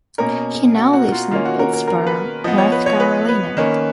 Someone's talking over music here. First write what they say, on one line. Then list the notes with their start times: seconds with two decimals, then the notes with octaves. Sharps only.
He now lives in Pittsboro, North Carolina.
0.18 B2 A#3 C#4 A#4
0.75 F#4
0.93 F#4
1.12 F4
1.31 D#3 A#3 C#4 F4
1.45 F#4
1.59 A#4
1.73 A#4
1.88 A#4
2.07 B4
2.44 F3 B3 D#5
2.58 C#5
2.72 B4
2.86 C#5
3.00 B4
3.29 B4
3.57 D#3 A#3 C#4